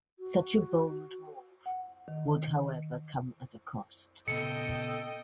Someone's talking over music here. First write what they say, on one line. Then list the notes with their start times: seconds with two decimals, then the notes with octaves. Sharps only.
Such a bold move would however come at a cost.
0.19 F#4
1.66 F#5
2.08 D#3
4.28 A#2 C#3 B3 A4 D#5 G5 C#7